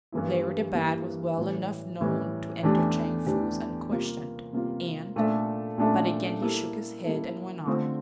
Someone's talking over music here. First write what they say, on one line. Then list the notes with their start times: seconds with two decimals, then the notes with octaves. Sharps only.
Larry the Bat was well enough known to enter Chang Foo's unquestioned, and--but again he shook his head and went on.
0.12 G2 E3 A#3 E4
0.75 G2 E3 A#3 E4
1.38 A2 E3 G3
2.01 A2 E3 G3
2.63 E2 E3 A3 D4 G4
3.26 E2 E3 A3 D4 G4
3.89 C3 G3 A#3 F4
4.53 C3 G3 A#3 F4
5.16 A#2 A3 D4 A4 E5
5.78 A#2 A3 D4 A4 E5
6.41 G3 A#3 E4 A4
7.04 G3 A#3 E4 A4
7.66 D3 A3 C4 F4